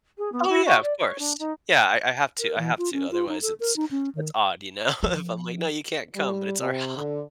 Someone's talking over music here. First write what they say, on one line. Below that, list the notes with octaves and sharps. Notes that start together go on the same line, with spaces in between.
Oh, yeah, of course. Yeah, I I have to I have to, otherwise, it's it's odd, you know? If I'm like, “No, you can't come,” but it's our house.
G#4
B3
E4
F#4
D5
C#5
D4
D#4
A#4
E3
F4
C#4
F4
D#4
A4
A#4
D#4
C#4
D#3
F3
G3
C3
D3